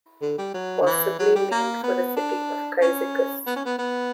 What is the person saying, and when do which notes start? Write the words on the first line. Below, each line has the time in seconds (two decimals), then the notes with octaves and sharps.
Possibly named for the city of Cyzicus.
0.21 D3
0.38 G3
0.54 F#3
0.81 D3
0.86 E3
1.19 F#3
1.35 G3
1.51 A#3
1.83 B3
2.16 D4
2.81 C#4
3.46 B3
3.56 C#4
3.65 B3
3.78 B3